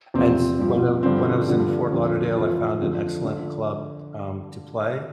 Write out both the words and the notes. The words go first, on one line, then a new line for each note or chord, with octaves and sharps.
and s when I when I was in Fort Lauderdale, I found an excellent club, um, to play,
E2 C3 F3 C4
G2 F3
G2 D3 F3 C4
G2 D3 F3
F2 D3 F3
F2 E3 F4
F2 D3 F3
D3 F3